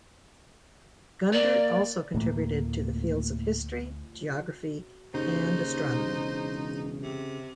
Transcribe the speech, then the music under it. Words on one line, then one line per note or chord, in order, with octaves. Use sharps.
Gundert also contributed to the fields of history, geography and astronomy.
A#3 D5
D2 A2 A3 A#3
D#2 C#3 D#4 C5
E1
C3